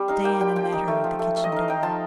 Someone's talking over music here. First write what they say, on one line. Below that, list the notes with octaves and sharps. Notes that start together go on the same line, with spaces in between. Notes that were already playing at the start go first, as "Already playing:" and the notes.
Diana met her at the kitchen door.
Already playing: G3 C4
D#4 F5
A#3 G5
G3 G5
F3 G5
D#4
A3
F3
A3
A3
D#5
D#4 F5
D#4 G5
F3 A5